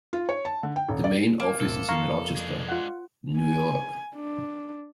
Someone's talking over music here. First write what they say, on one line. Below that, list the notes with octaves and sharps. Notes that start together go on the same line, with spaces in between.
The main office is in Rochester, New York.
F4
C#5
A5
D3
G5
D#1
D5
A#3
E1 A2 C3 A4
F2 F5 A#5 C#6
G#3 D4
F4 F#5
G#5
D4